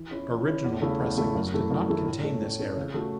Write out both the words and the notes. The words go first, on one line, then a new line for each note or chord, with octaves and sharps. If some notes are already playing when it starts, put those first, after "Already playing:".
Original pressings did not contain this error.
Already playing: E3
C#4 E4
E3
C#4 E4
E2
C#3 A3 E4
E2
C#3 A3 E4
F#2
E3 A3 E4
F#2
E3 A3 E4
A2
A3 C#4
A2
A3 C#4
C#3
A3 F#4